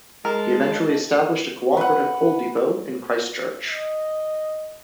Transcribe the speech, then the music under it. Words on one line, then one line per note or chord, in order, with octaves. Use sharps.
He eventually established a cooperative coal depot in Christchurch.
G#3 A#4 D#5 A5
B4 F#5
D#5